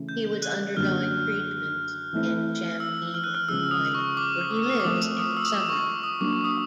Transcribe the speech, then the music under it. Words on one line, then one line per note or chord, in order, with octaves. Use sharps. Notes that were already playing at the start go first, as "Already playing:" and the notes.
He was undergoing treatment in Champaign, Illinois, where he lives in the summer.
Already playing: C#3 E3 A3
G6
F#6
F#2 D3 F#3 A#3 F6
E3 A3 C4 E4
E6
F6
F#6
F6
C#3 F3 G#3 E6
D#6
C#6
D6
D6
D6
F3 A3 C4 F4 A#4 D#6
D#6
E6
D#6
D6
C#6
D6
D#6
F#3 A#3 D4 D6
D#6